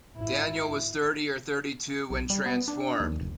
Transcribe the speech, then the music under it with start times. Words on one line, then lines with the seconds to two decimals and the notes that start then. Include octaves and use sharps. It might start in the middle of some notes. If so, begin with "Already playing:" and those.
Daniel was thirty or thirty-two when transformed.
0.16 G#1 E4
2.10 B1
2.30 G3
2.46 B3
2.68 D4
3.00 D#2
3.21 F1